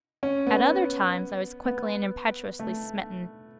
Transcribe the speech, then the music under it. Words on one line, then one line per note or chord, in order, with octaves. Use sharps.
At other times I was quickly and impetuously smitten.
C#4
B3
B3
A3